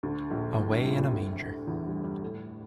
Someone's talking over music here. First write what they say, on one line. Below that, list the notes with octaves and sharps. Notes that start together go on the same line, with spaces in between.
Away in a Manger.
D2 D3
A#1 A#2
A2
G2
A#1 A#2
C2 C3
D2 D3
E2 E3
G2 G3
G2 G3
A2 A3